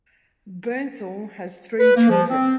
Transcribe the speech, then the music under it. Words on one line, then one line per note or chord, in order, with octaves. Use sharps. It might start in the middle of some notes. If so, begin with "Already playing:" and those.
Bernthal has three children.
B4
A#3
F3
C4